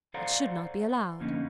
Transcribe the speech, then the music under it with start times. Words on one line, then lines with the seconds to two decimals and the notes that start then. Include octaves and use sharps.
It should not be allowed.
0.14 A4 C5 D5 F5 F#5 A#5
1.20 F2 D3 A#3 C#4 D#4